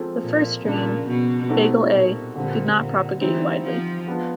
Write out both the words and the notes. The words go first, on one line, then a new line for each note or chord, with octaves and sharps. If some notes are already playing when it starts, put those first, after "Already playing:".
The first strain, Bagle.A, did not propagate widely.
Already playing: F3 G#3 C4 F4 A4
A#2
A#2 C#3 F3 A#3 D4
B2
G3 C4 D#4 F#4 A4
A#2
A#2 D3 G3 C4
A#2
E3 G3 C4 D#4
F3
G#3 B3 D4 F4